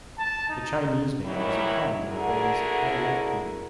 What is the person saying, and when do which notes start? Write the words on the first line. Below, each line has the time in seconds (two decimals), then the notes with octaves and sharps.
The Chinese name was a pun on the phrase "I Like You".
0.19 A5
0.49 D#4
1.26 D#3 E3 F#3 G3 E4
2.05 D3 A3 E4 F#4 G#4 A#4